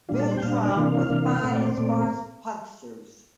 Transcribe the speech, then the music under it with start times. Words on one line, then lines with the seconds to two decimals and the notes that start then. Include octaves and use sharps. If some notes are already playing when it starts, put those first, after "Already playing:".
Ventrum with fine and sparse punctures.
0.09 A#2 G3 D4 F4
0.20 A4
0.31 C5
0.37 G5
0.42 A#2 G3 D4 F5
0.65 D5
0.76 C3 E3 A#3 D4 F5
1.10 C3 E3 A#3 D4
1.43 A#2 A3 C4 F5
1.55 D5
1.66 C5
1.77 A#2 A3 C4 D5